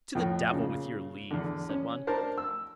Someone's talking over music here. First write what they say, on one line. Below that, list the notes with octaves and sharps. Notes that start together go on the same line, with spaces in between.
'To the devil with your leave', said one.
F2 A2
A#2 C#3
E2 D3
C#4
D4 A#4 C5 A5
E6